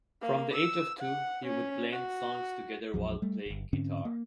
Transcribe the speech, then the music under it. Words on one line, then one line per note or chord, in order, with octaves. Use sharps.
From the age of two he would blend songs together while playing the guitar.
A#3
E6
F#5
C#4
F#4
A#1 F2 F#3
G3 A3
D1 G1
G#2 D3 C4 C#4
A#3